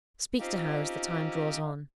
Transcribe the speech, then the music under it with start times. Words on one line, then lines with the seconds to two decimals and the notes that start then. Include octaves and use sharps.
Speak to her, as the time draws on.
0.39 C4 C#4 D#4 F4 G4 C5 F5